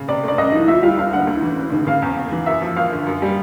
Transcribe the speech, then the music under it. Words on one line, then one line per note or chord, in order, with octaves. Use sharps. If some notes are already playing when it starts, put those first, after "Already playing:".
The Union had different names through the years.
Already playing: C#3
C3 D5
A3 D5
C2 D#5
F3
D2 E5
G3 F5
E1 F5
D3 F#5
D2
E3
E1
C#3
C#3 F5
E2
E2
E3
F#2 E5
F3
G#1 F5
D3
F#2
G3